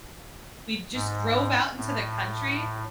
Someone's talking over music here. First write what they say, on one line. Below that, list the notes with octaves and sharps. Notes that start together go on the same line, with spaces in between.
we just drove out into the country,
G#2
A2